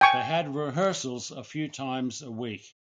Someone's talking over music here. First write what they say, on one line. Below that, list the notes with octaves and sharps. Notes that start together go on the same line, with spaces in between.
They had rehearsals a few times a week.
G5 G#5 C#6